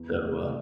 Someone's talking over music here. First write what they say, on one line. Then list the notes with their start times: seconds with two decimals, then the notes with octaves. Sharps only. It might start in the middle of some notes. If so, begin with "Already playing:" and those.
So, uh,
Already playing: E2
0.23 C3 E3 A3